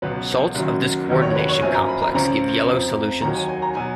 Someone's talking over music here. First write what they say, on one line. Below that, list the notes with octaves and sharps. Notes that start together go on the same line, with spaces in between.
Salts of this coordination complex give yellow solutions.
C#2 B2 F#3 B4
F#1 F#2 D#3 F#3
F1 D#2 D#3 F#3
C#5
B4
C#5
F#1 F#2 F3 G#5
A#5
B5
A#5
C#2 C#3 F3 A#5
F2 F3
D#2 D#3 F#3 A#5
G#5
G#5
A#5
B2 F#3 G#5